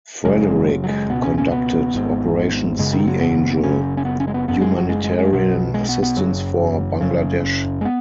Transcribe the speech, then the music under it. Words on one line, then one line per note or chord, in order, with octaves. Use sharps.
"Frederick" conducted Operation Sea Angel, humanitarian assistance for Bangladesh.
F#1 F#2 C#3 G#3
F#3
G#3
C#2 B2 B3
C#4
C#4
B3
G#1 G#2
F#1 F#2 C#3 G#3
D#3
F#3
B3
F#1 F#2 C#3 C#4
C#4
B3
C#4
G#3
B3
F#1 F#2 C#3 B3
G#3
F#3
G#3
G#3
G#3
B1 B2 F#3
G#3
B3
B3
F#1 F#2 C#3 F#3
F#1 F#2 C#3
G#3
B3